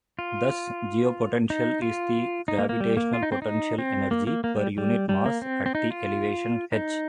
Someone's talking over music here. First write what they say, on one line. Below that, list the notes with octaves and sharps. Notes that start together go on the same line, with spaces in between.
Thus geopotential is the gravitational potential energy per unit mass at that elevation "h".
F4
D#4
F4
D#4
A#3
A#3
G3
A#3
F4
D#4
C4
D#4
C4
A#3
A#3
A#3
G3
G3
G3
A#3
C4
C4
D#4
F4
D#4